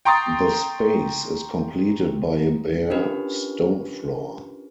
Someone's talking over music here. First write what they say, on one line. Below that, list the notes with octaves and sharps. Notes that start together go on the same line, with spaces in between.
The space is completed by a bare stone floor.
G5 A#5 C6 C#6 D#6 A6
C#4 D4 F4 G4 A#4 B4